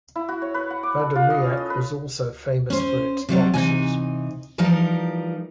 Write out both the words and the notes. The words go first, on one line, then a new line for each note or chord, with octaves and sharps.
Radomiak was also famous for its boxers.
E4
F#4
C#5
B4
F#5
D6
A4
F4
D#5
C#4
D#5
B4
C#4 C5
C3 F#3 G3
C3 E3 D#4 G#5
E3 F3 G3 D#4 A#4